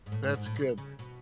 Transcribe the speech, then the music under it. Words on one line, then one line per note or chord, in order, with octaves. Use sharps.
That's good.
G#2
A2
G#2
G#2
A2
B2
C#3
B2